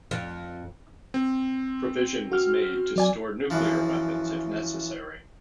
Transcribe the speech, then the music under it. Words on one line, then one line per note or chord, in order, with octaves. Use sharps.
Provision was made to store nuclear weapons if necessary.
F2
C4
F#4 F6
F#3 D5 G#5
F#2 E3 F3